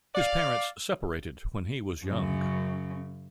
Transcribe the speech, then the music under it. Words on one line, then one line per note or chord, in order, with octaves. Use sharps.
His parents separated when he was young.
D5 F5
F#2 C#3